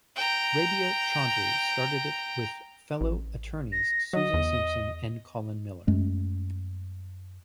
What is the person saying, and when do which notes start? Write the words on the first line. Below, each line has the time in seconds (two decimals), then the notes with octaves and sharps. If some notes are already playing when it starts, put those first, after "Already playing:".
Rabia Chaudry started it with fellow attorneys Susan Simpson and Colin Miller.
0.16 G5 A#5
3.01 A1
3.72 A#6
4.13 F#3 D#5
4.34 E2
5.87 F#2 G#3 A3